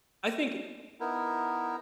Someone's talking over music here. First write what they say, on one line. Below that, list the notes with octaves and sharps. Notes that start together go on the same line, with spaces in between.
I think,
B3 D#4 E4 A#4